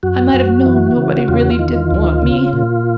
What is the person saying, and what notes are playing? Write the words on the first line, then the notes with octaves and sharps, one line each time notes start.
I might have known nobody really did want me.
F#2 F#4
F#2
E3
C#3
E2 F4
F#4
F4
D#3
D2
C#3
A#2